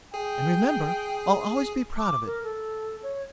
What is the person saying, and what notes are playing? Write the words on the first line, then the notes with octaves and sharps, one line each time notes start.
And remember, I'll always be proud of it.
G#4 G5
D6
A#4
A4
C#5